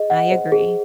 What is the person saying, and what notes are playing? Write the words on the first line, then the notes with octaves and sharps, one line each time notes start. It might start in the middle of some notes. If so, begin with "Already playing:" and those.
I agree.
Already playing: G#4 D#5
F#5
C5
G#4